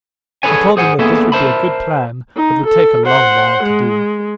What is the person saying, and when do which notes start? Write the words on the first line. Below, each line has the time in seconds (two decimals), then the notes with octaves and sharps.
I told him that this would be a good plan, but would take a long while to do.
0.43 G#4 A4 B4 C#5 G#5
0.77 G#4 C5 F#5 G#5
0.99 A#3 B3 G#4 A4 E5
1.32 A#4 C5 E5 A5 B5
2.36 D#4
2.66 A4
3.06 C5 F#5
3.63 G#3